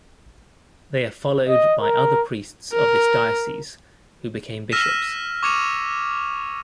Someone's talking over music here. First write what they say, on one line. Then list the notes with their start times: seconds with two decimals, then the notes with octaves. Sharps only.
They are followed by other priests of this diocese who became bishops.
1.49 D#5
1.81 A#4
2.72 A#4
4.72 E6 F6 A#6 B6 D#7 E7
5.43 C#6 D6 G#6 C#7 D#7 F7